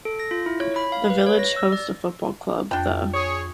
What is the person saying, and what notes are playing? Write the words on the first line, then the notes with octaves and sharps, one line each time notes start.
The village hosts a football club, the.
A4
A#6
F4
E4
C#5
B5
F5
B4
C#5
A#6
E6
D5
F2 D4 G5
G#4 C#5